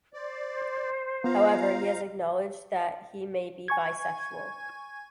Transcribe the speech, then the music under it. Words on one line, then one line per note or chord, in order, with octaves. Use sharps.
However, he has acknowledged that he may be bisexual.
C5 D5
B3 F4 F5 A#5
G#5 C#6 G#6